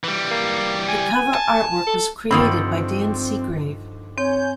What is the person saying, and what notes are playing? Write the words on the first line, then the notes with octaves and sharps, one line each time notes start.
The cover artwork was created by Dan Seagrave.
E3 G3
A#3
G#5
A5
A4
G2 D3 D#3 F3 C4 G5
C4 C#5 G#5 G6